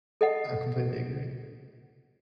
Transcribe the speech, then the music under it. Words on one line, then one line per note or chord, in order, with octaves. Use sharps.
I completely agree.
A4 D#5 F#5